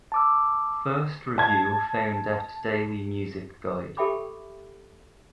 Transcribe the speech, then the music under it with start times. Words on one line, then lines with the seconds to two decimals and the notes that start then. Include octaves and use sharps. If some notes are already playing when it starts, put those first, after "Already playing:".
First review found at Daily Music Guide.
0.12 A5 D6 E6
1.38 A5 G#6
3.97 G4 A4 E5 G5 B5 D6